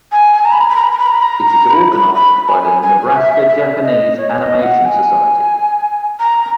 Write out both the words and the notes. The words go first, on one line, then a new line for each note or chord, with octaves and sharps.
It is organized by the Nebraska Japanese Animation Society.
G#5
A#5
B5
A#5
B5
A#5
B5
A#5
B5
A#5
B5
A#5
A#5
B5
B5
B5
G#5
G#5
E5
E5
D#5
C#5
C#5
D#5
F#5
G#5
A#5